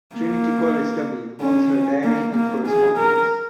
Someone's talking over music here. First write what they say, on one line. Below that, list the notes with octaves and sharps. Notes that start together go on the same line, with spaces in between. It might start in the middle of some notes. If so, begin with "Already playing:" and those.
Trinity College Dublin holds her diary and correspondence.
A#3
C#4
A#3
A#3
G#4
A#4